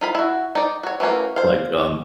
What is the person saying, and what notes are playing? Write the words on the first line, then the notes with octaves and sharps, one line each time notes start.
Like, um
D#4 F4 B5
E4 F#4
D#4 D5
F#4 C#5
E3 A3 A#3 C#4 F#4
C5 F5